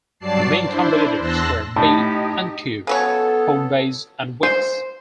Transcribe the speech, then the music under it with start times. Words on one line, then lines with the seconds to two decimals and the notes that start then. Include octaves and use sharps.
The main competitors were B and Q, Homebase and Wickes.
0.19 G2 F#3 D5 A5 C7
0.64 D4 E4 C5
1.19 E2 A5 C6 E6 F#6 A#6
1.76 A2 D#4 G4 A5
2.87 C#3 F#3 B3 A4 C#5
4.43 C5